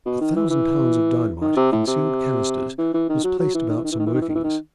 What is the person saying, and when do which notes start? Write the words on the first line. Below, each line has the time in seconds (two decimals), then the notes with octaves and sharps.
A thousand pounds of dynamite, in sealed canisters, was placed about some workings.
0.06 B2
0.21 D#3
0.36 E3
0.50 E3
1.42 D#3
1.57 C3
1.72 A2
1.87 C3
2.78 E3
2.94 E3
3.10 D#3
3.24 F#3
3.39 F#3
3.55 E3
3.70 D#3
3.77 E3
3.84 D#3
3.92 E3
3.99 D#3
4.06 E3
4.14 D#3
4.21 E3
4.29 D#3
4.35 E3
4.44 D#3